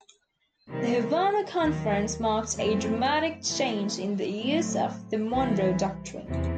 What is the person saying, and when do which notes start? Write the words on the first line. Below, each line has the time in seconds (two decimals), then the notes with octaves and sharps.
The Havana Conference marked a dramatic change in the use of the Monroe Doctrine.
0.68 C3 D#3 G3
1.60 D#2 D#3 F#3
2.54 F#2 E3 A3 C4
3.46 C3 E3 A3
4.39 A2 F#3 A3 C4
5.32 C2 C3 E3
6.26 E2 C3 E3